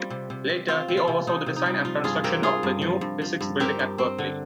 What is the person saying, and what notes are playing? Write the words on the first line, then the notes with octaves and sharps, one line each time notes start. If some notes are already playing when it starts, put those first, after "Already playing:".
Later, he oversaw the design and construction of the "new" physics building at Berkeley.
Already playing: G3 C4 F4
C3
C3
C3
C4 F4
C4
F4
C3
C3 D#4
C3
D#4
G3
F3 F4
G2 F4 G#4
C4 G4 A#4
G2 F4 G#4
G2
F3
G2
F3
G2
C4 G4 A#4
G2
C4
D3